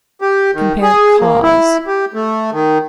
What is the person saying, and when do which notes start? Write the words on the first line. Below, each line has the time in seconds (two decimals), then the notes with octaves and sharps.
Compare CAUSE.
0.21 G4
0.54 D#3
0.82 G#4
1.20 A#3
1.43 E4
1.87 G4
2.14 A3
2.52 D#3